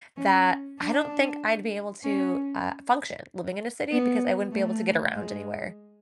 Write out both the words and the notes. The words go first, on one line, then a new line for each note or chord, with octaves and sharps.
that I don't think I'd be able to, uh, function living in a city, because I wouldn't be able to get around anywhere.
C#4
D4
C#4
B3
A3
G#3